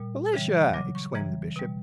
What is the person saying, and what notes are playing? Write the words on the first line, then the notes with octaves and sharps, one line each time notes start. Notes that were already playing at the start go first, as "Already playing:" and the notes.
"Felicia!" exclaimed the Bishop.
Already playing: A#2 G3
C#3 E3 G3
C#3 F#3 D6
C#6
C#3 E3 G3 A#5
B2 G3